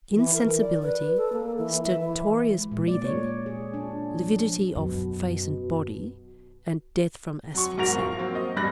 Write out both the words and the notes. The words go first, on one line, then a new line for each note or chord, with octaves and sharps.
Insensibility, stertorous breathing, lividity of face and body, and death from asphyxia.
E3
A#4
D5
B4
A4
A#3
E3
E5
E3
G#3
A#2
D5
C#5
G#4
D4
F3
F#2 B2
F#3 C#6
E1 G#2 F#4 A#4 A#6 F7
F3 F5 C#6
F#3 A#3 C4
D#5
E1 G2 G3 B5 F#6 A#6